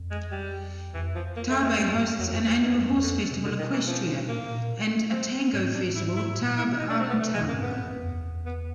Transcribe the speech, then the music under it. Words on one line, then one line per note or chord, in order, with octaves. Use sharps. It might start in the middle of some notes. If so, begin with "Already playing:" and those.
Tarbes hosts an annual horse festival, Equestria, and a Tango festival, Tarbes en Tango.
Already playing: F2
G#3
G3
F2 E3
F3
A#3
A3
G#3
G2 G3
G#2
F#2
F2 F#3
F3
E3
F#2 D#3
G2
E2
F2 D3
C3
B2 D3
D#3
E3
F3
A#2 A#3
B2
A#2
C4
G#2 C#4
A2
D4
G#2
G#2 E4
E4
A#2
B2 E4
D#4
D4
C4
B3
C3 A3
B2 G#3
F#2
A#3
G#2
A2 B3
F#2
F2
E2
B3